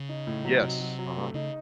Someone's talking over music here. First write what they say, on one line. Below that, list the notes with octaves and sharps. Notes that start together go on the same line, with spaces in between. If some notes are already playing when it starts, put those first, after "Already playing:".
Yes, uh-huh.
Already playing: C#3
D#4
A2
F#3
C3 D#4
F#3
F#3
A3
C#3 D#4